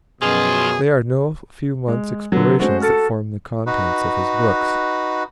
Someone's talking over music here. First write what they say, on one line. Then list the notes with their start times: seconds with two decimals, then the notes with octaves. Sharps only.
They are no few months' explorations that form the contents of his books.
0.22 F#2 B2 F3 G#4
1.88 G#3
2.32 D3 F#3 A#3 B4
2.60 G#3 A3 C#4 F#4 C5
2.81 A4 F6 A6 C#7
3.66 D#4 F#4 B4